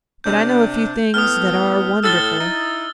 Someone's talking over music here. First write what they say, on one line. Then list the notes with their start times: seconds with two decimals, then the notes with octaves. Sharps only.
But I know a few things that are wonderful.
0.24 C3 D4 G6
1.14 A2 A3 B3 D#6 F6
2.03 A2 A4 E6 A6 G7
2.39 D#4 E4